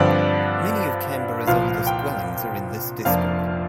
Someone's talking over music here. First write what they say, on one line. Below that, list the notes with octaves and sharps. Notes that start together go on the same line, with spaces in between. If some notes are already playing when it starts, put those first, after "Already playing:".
Many of Canberra's oldest dwellings are in this district.
Already playing: G2 D3 F3 C4 D5
C2 A#2 F3 F5
G5
F1 F2 F3 A#3 D4 F5